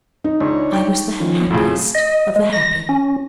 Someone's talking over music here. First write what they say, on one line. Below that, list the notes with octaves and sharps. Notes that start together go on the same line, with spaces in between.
I was the happiest of the happy.
D#4
C#2 D4 C#5
G5
D#3 F3 C#4
F2 A2 C#3 F#3
D#5
G#3
A#6
C#4